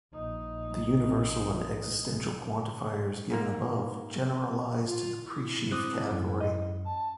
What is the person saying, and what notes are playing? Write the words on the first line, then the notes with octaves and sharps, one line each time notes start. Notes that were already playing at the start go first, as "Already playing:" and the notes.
The universal and existential quantifiers given above generalize to the presheaf category.
A#1 D#4
G#2 A#3
F4
E4
C4 C5 D6 D#6 F#6
F#2
D#5
A5